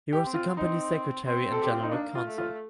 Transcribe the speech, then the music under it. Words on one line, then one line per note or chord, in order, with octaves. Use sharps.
He was the company Secretary and General Counsel.
G4
C4
F4
C4 D#4
C4
A4
G4
F4
D#4
A#3 D4
F4
A3
F4